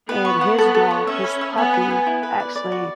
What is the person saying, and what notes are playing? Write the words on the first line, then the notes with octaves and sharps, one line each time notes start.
and his dog, his puppy, actually
B3 B4
C#6
F#5
B3 A4
A4
C#5
C#4 E5
B5
E5
B3 G#5
B4
G#5
E4
B4
D5
D5
F#4